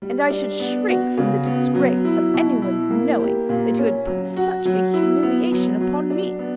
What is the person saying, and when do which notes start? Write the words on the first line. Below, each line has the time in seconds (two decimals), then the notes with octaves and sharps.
And I should shrink from the disgrace of anyone's knowing that you had put such a humiliation upon me.
0.02 G3
0.30 D4
0.60 B3
0.88 F#4
1.18 C#3
1.46 B3
1.75 F#3
2.04 E4
2.34 B2
2.62 E4
2.91 A#3
3.20 G4
3.49 A#2
3.79 C#4
4.07 F#3
4.36 F#4
4.65 F#3
4.94 E4
5.23 B3
5.52 F#3
5.81 F#3
6.10 D4
6.39 B3